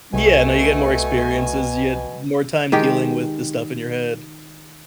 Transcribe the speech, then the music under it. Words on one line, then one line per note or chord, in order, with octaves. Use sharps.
Yeah, no, you get more experiences, you get more time dealing with the stuff in your head.
C2 B2 A3 G#5
D#3 G#3 G4